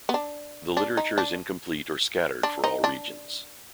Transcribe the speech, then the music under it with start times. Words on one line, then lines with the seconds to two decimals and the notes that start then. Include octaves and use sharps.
The literature is incomplete or scattered for all regions.
0.09 B3
0.14 D4
0.77 D4
0.97 D#4
1.18 D4
2.43 D4
2.64 D#4
2.84 D4